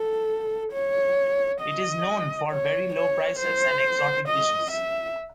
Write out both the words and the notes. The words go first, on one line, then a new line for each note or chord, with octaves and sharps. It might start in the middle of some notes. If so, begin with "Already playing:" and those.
It is known for very low prices and exotic dishes.
Already playing: A4
C#5
D#5
C#5
C#5
C5
D#5
E5